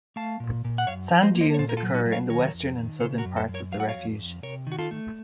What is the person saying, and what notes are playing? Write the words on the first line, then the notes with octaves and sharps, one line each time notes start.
Sand dunes occur in the western and southern parts of the refuge.
A3 F5 A5
A#2
A#2
F#5
F#2 C#5 F5
F3
C5 D#5
A#3
C5 D#5
C#5
A#2 A4 C5
A#4
F4 A4
F#3
D#4 F#4
F#3
C#5 F5
D#3 A#4 C#5
F2
D#3
C#3 A4 C5
F#4 A#4
F#2
A4 C5
F#2
A#4 C#5
F#3 F5
F#5
C#5 F5
F2
F2
C3 A#4 C#5
D#3 F#4
F4 A4
A3